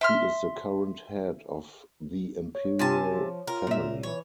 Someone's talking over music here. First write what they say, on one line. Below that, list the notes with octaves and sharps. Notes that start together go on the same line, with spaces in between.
He is the current head of the imperial family.
E5 C6 F6
C#5
C3 F4 G#5 A5
F3
F4 A#4
A#2 E5
E3 C#5